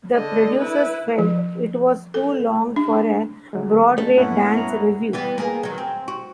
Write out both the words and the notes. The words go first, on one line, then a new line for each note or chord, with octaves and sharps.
The producers felt it was too long for a Broadway dance review.
D3 D#5
E4 B4
F3
A4
D4
D3 F#3 G#3
A3 C#4
G2 A#2 B3 C#4 E4 F#5
G2 G#4 A#5
E3 G3 B3
A#3 G#4
D#3 F#3
C4
F#4